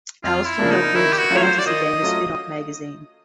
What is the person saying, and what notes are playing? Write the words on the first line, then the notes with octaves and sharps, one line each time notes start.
Allston helped launch the "Fantasy Gamer" spinoff magazine.
F2 F4
E4
C#3 F3 A#3 D4
D#4
D#3 E4
G4
F#4
F#3 A3 C#4 F4
C#5
C5
D5
D#3 D#5
F#3 A3 C#4 F4